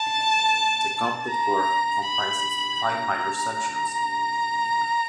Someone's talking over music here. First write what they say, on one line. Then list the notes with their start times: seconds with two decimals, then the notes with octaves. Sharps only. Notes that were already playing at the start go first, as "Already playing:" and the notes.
The complete work comprises five major sections.
Already playing: A5
1.28 A#5
2.05 B5
2.83 A#5